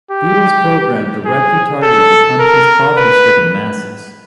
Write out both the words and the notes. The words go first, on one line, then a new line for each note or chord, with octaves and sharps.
Bhutto's program directly targeted the country's poverty-stricken masses.
G4
G#4
A4
A#4
B4